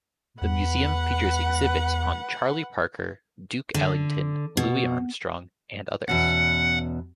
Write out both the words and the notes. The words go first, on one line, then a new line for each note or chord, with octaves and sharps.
The museum features exhibits on Charlie Parker, Duke Ellington, Louis Armstrong and others.
E2 B4 F#5
D3
B2
E2 B2 C#4 F#5